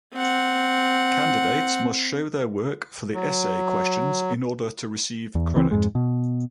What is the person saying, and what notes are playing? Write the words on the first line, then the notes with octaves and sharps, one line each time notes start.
Candidates must show their work for the essay questions in order to receive credit.
C4 F#5
F#3
E2
C#2 E3 C4
F2 G#2 G#3
B2